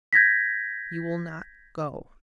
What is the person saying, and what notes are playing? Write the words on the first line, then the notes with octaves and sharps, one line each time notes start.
You will not go?'
G6 G#6 A#6 B6